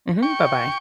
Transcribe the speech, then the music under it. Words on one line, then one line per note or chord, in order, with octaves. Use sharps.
Mhm, bye-bye.
G5 C#6